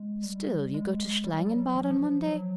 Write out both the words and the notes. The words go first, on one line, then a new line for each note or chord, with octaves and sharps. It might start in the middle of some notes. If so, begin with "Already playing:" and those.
'Still, you go to Schlangenbad on Monday?'
Already playing: G#3
G3
G#3
G3
G3
F#3
F3
F#3
F3
F#3